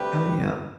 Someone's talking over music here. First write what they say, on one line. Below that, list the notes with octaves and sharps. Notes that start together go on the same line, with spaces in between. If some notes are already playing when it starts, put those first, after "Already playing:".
Oh, yeah.
Already playing: D2 C3 G3 G4 B4